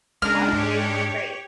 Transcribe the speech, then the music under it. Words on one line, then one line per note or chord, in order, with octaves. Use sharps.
Honestly, great.
C#2 G#3 D4 G#4 A#4 F6
G#2 G4 C#5